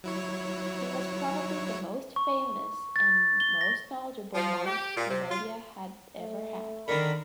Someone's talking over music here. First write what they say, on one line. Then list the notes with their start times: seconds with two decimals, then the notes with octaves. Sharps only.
He was probably the most famous and most knowledgeable monk Cambodia had ever had.
0.04 F#3 E4 C#5
2.16 C#6
2.96 A6
3.40 G7
3.61 A#6
4.35 F3
4.66 G4
4.97 A#2
5.10 C3
5.29 F4
6.19 A3
6.88 D3 D#3 D4 A#4 B5